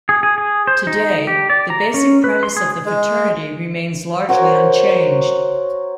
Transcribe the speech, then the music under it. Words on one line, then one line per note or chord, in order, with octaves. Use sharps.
Today, the basic premise of the fraternity remains largely unchanged.
G#4
G#4
G#4
C5
D#4
G4
D5
A#5
C#4
B4
C6
G#4
G#3
F#4 A#4 C5 C#5